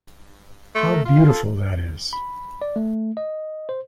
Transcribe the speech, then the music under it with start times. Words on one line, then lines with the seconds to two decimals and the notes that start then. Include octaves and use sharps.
How beautiful that is!
0.75 A3 C6
0.90 A#4
1.05 F4 F5
1.25 A4
2.13 B5
2.62 D5
2.76 A3
3.17 D#5
3.69 C5